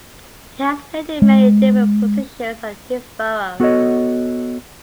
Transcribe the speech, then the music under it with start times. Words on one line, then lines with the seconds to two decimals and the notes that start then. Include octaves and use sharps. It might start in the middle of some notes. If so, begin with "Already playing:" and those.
He has played in many different positions at Hillsborough.
1.22 G#3
3.60 B3 F#4 A4 B4 C#5 D#5